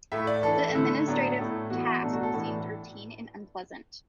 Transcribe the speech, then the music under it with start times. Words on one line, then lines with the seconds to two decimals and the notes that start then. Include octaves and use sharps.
The administrative task seemed routine and unpleasant.
0.12 A2 A3 E4 E5
0.27 D5
0.43 E3 D4 A4
0.74 D3 A3 E4
1.07 A2 F#3 B3 D4
1.39 A2 A3 E4
1.70 E3 B3 E4 F#4
2.02 B2 F#3 A3 D4 A4
2.13 F#4
2.23 A4
2.33 A2 E3 D4 A4